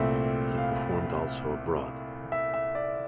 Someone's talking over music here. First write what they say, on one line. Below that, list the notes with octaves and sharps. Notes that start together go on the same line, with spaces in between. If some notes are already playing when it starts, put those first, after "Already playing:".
He performed also abroad.
Already playing: C2 A#2 A3 C4 E5
F5
E5
E5
D5